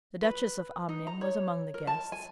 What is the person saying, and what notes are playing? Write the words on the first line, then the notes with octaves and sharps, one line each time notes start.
The Duchess of Omnium was among the guests.
B4
D#4
A#5
C#5
A#4
A5
G#5